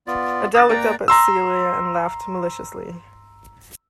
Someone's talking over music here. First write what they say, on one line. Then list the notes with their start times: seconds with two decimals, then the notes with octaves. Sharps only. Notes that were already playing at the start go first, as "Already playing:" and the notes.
Adele looked up at Celia, and laughed maliciously.
0.07 B3 F4 D5
0.55 D#6 F#6 A6
0.69 A#3 D5 G5 A#5
1.08 A#5 C6 E6